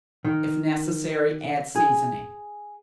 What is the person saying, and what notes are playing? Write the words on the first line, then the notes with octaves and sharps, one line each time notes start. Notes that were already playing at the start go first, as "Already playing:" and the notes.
If necessary, add seasoning.
D#3
G#4